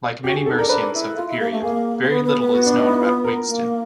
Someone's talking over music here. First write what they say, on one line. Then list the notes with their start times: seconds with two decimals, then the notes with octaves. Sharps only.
Like many Mercians of the period very little is known about Wigstan.
0.24 F#4 G4
0.35 G#4
0.46 D#4 A4
0.58 D4 A#4
0.69 D4 B4
0.93 E4
1.16 F4
1.27 E4
1.39 A#3
1.51 A3
1.62 A#3 G#4
2.01 C4
2.09 B3
2.24 B3
2.39 B3
2.55 F#4
2.66 D4
2.78 D#4
2.90 E4
3.01 F4
3.24 A#4
3.47 A#3